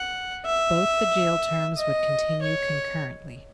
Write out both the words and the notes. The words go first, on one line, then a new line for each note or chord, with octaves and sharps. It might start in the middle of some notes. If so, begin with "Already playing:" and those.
Both the jail terms would continue concurrently.
Already playing: F#5
E5
D#5
C#5